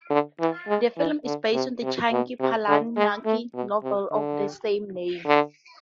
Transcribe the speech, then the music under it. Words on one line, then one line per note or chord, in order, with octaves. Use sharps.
The film is based on the Chuck Palahniuk's novel of the same name.
D3
E3
G#3
E3
D3
C3
C3
B2
C3
D3
G#3
A3
B2
C3
D3
D3